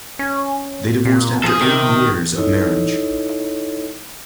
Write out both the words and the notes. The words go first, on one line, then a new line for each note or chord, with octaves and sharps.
They divorced after eight years of marriage.
C#4
A#2
F3 G#4 A4
C3 D#3
D#4 E4 A4 C#5 D#5